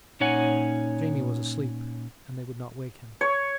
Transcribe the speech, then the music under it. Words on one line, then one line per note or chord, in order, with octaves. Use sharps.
Jamie was asleep, and they would not wake him.
A#2 C#4 D#4 C#5 F#5 G#5
C#5